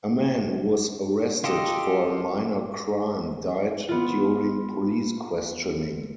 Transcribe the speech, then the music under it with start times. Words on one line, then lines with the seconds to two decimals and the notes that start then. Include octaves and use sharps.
A man who was arrested for a minor crime died during police questioning.
1.44 F4 G4 A4 D#5
3.89 B3 F4